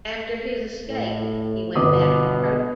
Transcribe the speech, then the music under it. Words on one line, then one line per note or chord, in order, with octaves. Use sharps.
After his escape he went back to Croton.
A2
G1 B2 D6 D#6